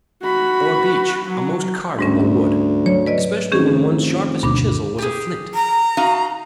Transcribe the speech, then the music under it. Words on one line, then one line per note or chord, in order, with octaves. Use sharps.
Or beech--a most carvable wood. Especially when one's sharpest chisel was a flint.
F#4 B5
F#3
D2 G#2 G3 C#4
F#3 C#5
B4 D5 D#5
F1 D#3 C#4 G#4
D2 G2 B2 D4 D6
G4 G#4
A#5
D#4 F#4 F5